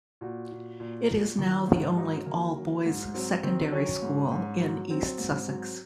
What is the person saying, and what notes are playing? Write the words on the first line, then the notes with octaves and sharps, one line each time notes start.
It is now the only all-boys secondary school in East Sussex.
A#2 F#4
A#2
A#2
A#2
D#3
G#2
F4
F#3 D#4
D#3 A#3
F#3
G#2
F#3 C4
D#3 C4
F#3 C#4
G#2
G#2
F#3
F#3 C4
G#2
F#3